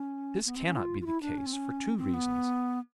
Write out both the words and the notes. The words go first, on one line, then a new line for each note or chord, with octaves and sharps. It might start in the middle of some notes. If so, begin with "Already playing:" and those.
But this cannot be the case for two reasons.
Already playing: C#4
B3
C4
C#4
F4
F4
E4
D4
C#4
C4
C#4
C4
B3